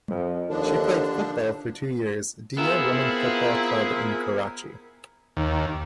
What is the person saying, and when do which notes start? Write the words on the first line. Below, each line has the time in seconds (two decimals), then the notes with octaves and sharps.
She played football for two years Diya Women Football Club in Karachi.
0.10 F2
0.49 D#2 D3 F3 D4 A4
2.57 B3 C4 E4 F4 G#4 A#4 E5
5.37 D#2